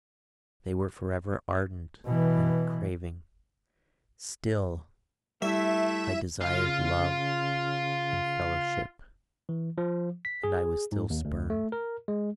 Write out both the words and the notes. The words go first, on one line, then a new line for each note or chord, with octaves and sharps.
They were forever ardent and craving; still I desired love and fellowship, and I was still spurned.
B2 E3
G3 A3 E4 E5
C#3 F4 F5
E3
F3
B6
G#4
G#2
D#2
D2
A3
A#4
G#3